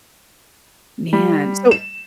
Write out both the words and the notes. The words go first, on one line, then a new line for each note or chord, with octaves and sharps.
Man. So,
G3
E7